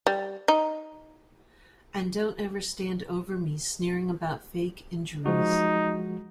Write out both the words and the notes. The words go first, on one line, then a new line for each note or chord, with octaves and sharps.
And don't ever stand over me sneering about fake injuries.
G3
D#4
F3 G#3 D#4 F#4